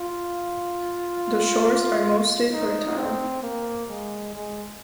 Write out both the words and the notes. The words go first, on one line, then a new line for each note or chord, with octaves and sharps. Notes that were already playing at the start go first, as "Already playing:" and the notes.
The shores are mostly fertile.
Already playing: F4
D#4
C4
A#3
G#3
G#3